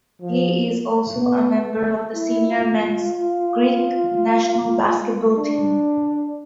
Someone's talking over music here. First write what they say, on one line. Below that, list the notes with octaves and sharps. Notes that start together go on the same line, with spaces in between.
He is also a member of the senior men's Greek national basketball team.
F3
B3
E4
F4
D4